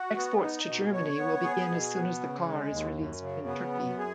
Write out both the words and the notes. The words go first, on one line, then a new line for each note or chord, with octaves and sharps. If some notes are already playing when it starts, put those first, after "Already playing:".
Exports to Germany will begin as soon as the car is released in Turkey.
Already playing: F#4
B3
D#4
B2
C#5
B3
G#4
B2
B3
C#3
G#3
D#2
F#2
C#3
B3
F#2
G#4